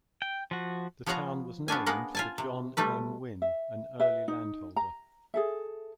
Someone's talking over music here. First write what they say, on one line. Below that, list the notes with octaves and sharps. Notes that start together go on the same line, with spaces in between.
The town was named for John M. Winn, an early landholder.
G5
F3 F#4
F3 B3 C#5 F5 F#5 A#5
B3 C#4 D4 G#5
G#3 A#3 B3 F#5
F4 G#5 A5
C3
C3 G3 A3 B4
E5
B4 E5
D#4
A#5
G#4 A4 E5